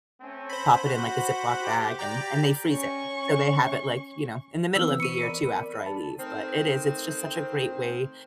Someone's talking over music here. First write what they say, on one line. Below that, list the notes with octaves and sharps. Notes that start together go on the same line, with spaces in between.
pop it in, like, a Ziploc bag and and they freeze it. So, they have it, like, you know, in the middle of the year too after I leave, but it is it's just such a great way
A3 C4 C#4
C5 B5
F#4
G4
D5 G5 A#5
C#4 C#6
E3 B3 C4 E6
B5 C#6 C#7 D#7
A#4 D5 B5
A5
D#3 A3 C4